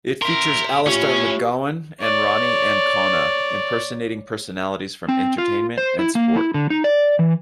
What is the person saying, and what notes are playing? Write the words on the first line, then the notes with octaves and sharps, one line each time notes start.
It features Alistair McGowan and Ronni Ancona impersonating personalities from entertainment and sport.
A#4 E5 C6
A3 C#4 F4 G4 C#5 C#6
C#5 D5
C4
F4
C5
E4
A#3
E4
D3
D#4
D5
E3